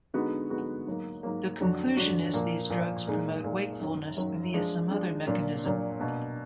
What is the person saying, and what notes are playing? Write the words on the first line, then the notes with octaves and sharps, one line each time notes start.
The conclusion is these drugs promote wakefulness via some other mechanism.
D3 G#3 B3 D#4 F#4
D3 G#3 B3 D#4 F#4
G#2 F#3 A#3
G#2 F#3 A#3
F2 D3 F#3 D4 F#4
F2 D3 F#3 D4 F#4
A#2 F3 A#3
A#2 F3 A#3
A#2 G#3 D#4 G#4
A#2 G#3 D#4 G#4
F#2 D#3 F#3
F#2 D#3 F#3
F3 G#3 D4
F3 G#3 D4
A#2 F#3 D4
A#2 F#3 D4
B2 A#3 D4